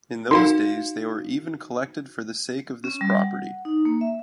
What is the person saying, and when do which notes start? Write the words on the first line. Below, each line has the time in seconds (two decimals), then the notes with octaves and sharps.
In those days they were even collected for the sake of this property.
0.31 D#4 F#4 F5 C6
2.84 C#4
3.01 G3
3.17 F#5
3.65 D#4
3.85 A#3
4.01 E5